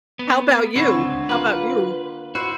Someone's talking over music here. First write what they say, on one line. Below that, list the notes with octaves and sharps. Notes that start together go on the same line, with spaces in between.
How 'bout you? How 'bout you?
B3
D3 C4 B4 C#5
C#2
A#3 F4 B4
E4 F#4 B4 C5